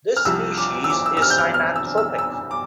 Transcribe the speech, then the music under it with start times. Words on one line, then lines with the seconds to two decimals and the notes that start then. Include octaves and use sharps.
This species is synanthropic.
0.17 F6
0.25 C2 C3 F3 E6
0.58 D6
0.84 E6
0.90 D6
1.06 E6
1.17 E6
1.22 F6
1.30 G6
1.38 F6
1.54 F6
1.76 E6
1.97 E6
2.18 E6
2.51 D6